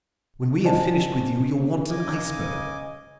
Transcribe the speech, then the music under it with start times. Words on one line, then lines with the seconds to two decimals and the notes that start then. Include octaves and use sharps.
When we have finished with you, you'll want an iceberg.
0.64 C5 D5 D#5 F#5 G#5 A5
1.90 C#3 D#5 G#5 D6